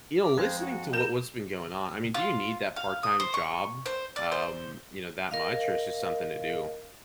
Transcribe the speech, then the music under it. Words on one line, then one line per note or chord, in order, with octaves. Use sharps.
you know, listening to what what's been going on I mean, do you need that part-time job, um, you know, that much, or it's just something to do?
D6
F2 G#3 C5
F#4
A#4 G6 E7
F4
F5
D#6
C5
C#6
C5
D5
C5
A#4 D#5 F5